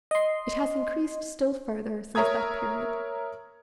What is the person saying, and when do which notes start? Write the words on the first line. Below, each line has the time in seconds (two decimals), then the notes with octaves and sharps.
It has increased still further since that period.
0.11 D#5 C6
2.15 A#4 C#5 E5 A#5 D#6 G#6